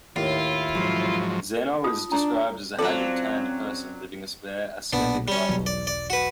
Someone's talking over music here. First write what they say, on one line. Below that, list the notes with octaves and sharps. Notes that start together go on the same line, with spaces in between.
Zeno is described as a haggard, tanned person, living a spare, ascetic life.
D#2 A2 E4 F4
G#2 F3 F#3
D#4 F4 D#6
D4 A#5
F#3 C4 C#4 F4 A4 D5
B1 A#2 B3 D4
G3 C#4
E1 B1 F#3
D5
D5
F#4 B4